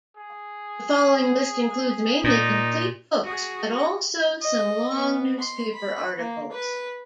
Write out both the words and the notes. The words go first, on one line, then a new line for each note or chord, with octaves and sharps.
The following list includes mainly complete books but also some long newspaper articles.
G#4
A#2 D#4
F#4 G#4
D#5
B3
C6
B5
A#3
B4